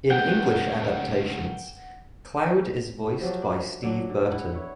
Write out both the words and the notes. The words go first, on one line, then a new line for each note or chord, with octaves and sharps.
In English adaptations, Cloud is voiced by Steve Burton.
C#2 D#3 F#5 G5
F3 F#3 A3 G4
D4
D3 F#3 D4
D3
D3 E4 F#5
B3 E4 C#5